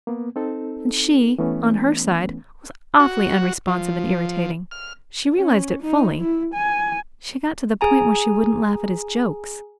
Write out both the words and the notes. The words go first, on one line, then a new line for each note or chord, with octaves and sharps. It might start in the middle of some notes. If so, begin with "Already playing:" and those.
And she, on her side, was awfully unresponsive and irritating,--she realized it fully,--she got to the point where she wouldn't laugh at his jokes.
A#3 B3
C4 D#4 A4
E3 A3 B3 C#4
F#4
F3
F6
C#4
D#4
E4
G#5
G#4 G#5 A#5